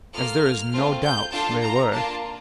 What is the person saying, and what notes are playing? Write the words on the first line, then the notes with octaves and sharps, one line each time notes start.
As there is no doubt they were.
A#3 F4 A4 F6
A3 C4 F4
G6
D4 F4 A4 A5
A#5
A#3 D4 F4 A5